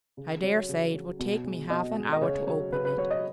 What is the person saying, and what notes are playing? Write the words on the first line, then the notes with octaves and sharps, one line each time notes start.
I dare say it would take me half an hour to open it.
C#3
F#3 C#5
C#3
F#3
B2
G#3
B2 D#5
G#3
D#5
C#3 C#5
F#3 C#5
C#3 B4
B4
F#3 C#5
D#5